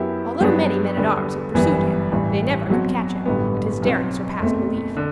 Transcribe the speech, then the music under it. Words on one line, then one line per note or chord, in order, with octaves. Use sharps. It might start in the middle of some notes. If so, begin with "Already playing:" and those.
Although many men at-arms had pursued him, they never could catch him, and his daring surpassed belief.
Already playing: F#2 F#3 B3 E4 G4
G2 F#3 B3 D4 G4
E2 D3 G3 B3
G1 F#2 E3 G3 B3
A1 G2 E3 G3
B1 B2 F#3 C4 F#4
A1 G2 D3 G3 B3
B1 B2 F#3 C4
F#1 E2 B2 A3 C4
D3